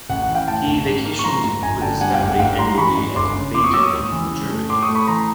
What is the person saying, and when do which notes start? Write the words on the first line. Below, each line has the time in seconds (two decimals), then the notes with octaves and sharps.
He vacationed with his family annually at Baden in Germany.
0.09 A1 F#5
0.22 F#5
0.28 E3
0.35 F5 G5
0.48 A2 G5 A5
0.67 A1
0.86 G#2
1.05 A#3
1.19 C#6
1.24 F3 A#5 C6
1.43 G#2
1.63 G1 G#5 A#5
1.82 D3 G5 A5
2.01 G2 F#5 G#5
2.14 F5 G5
2.20 G1
2.27 F#5
2.39 G#2 F5 G5
2.58 G3 A#5 C6
2.78 E3 B5 C#6
2.97 G#2
3.16 G1 C6 D6
3.35 C#3
3.54 F2 C6 D6
3.64 C#6 D#6
3.73 F#3 D6 E6
3.83 C#6 D#6
3.93 D#2
4.12 E3
4.31 C#3
4.50 A3
4.69 A2 C6 D6
4.82 C#6 D#6
4.89 A3
4.95 B5 C#6
5.07 E3 A#5 C6